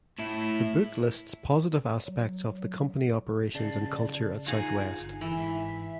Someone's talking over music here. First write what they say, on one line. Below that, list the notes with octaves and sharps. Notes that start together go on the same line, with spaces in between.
The book lists positive aspects of the company operations and culture at Southwest.
A2 E4
F#3
C#3 D5 A5 C7
D#4 F4 F#4 G#4 G#6 C7
G1 D#4
E3
G#2 E5